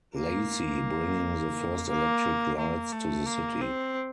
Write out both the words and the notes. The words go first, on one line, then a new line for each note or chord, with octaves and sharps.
Lacey, bringing the first electric lights to the city.
A#3
A#3
A#3
A3
A#3
C4